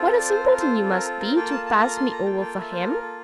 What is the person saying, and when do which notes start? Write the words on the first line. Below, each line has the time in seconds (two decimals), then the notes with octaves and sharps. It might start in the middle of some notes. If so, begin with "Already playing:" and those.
What a simpleton you must be, to pass me over for him!
Already playing: C4 F4 A4
0.14 D5
0.28 C5
0.44 A#4
0.60 C5
0.90 A#4
1.05 A4
1.20 A#4
1.36 A#3 F4 A4 G5
1.50 A5
1.66 A5
1.81 A#5
1.96 C6
2.11 A#5
2.26 G5
2.41 G5
2.57 E5
2.72 C5
2.86 A#4
3.02 A4